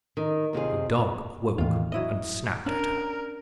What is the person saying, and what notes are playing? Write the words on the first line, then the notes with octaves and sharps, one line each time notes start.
The dog awoke, and snapped at her.
D#3
D#2 C3 F4 G#4
E2 A2 D#3 F4
F#3 E4 D#5
C#4 D4 A#4